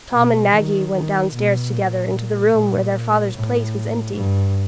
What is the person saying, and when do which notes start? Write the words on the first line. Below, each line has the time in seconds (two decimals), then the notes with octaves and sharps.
Tom and Maggie went downstairs together into the room where their father's place was empty.
0.12 B2
0.52 D#3
0.93 D#3
1.33 B2
1.72 A#2
2.54 A#2
3.34 A2
4.15 G2